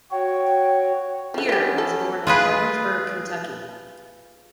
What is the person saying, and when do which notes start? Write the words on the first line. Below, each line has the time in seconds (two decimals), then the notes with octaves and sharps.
Beard was born in Hardinsburg, Kentucky.
0.11 F#4 C#5 G5
1.34 D3 F3
1.49 B3 C#4 F4 G4
1.78 A4
2.27 F4 G#4 B4